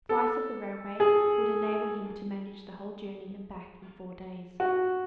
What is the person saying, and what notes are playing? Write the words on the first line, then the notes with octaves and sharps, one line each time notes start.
A slice of the railway would enable him to manage the whole journey and back in four days.
A4
G#4
F#4